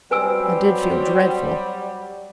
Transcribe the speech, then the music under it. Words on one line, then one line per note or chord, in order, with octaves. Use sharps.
I did feel dreadful.
F#3 G3 C4 B4 G#5 E6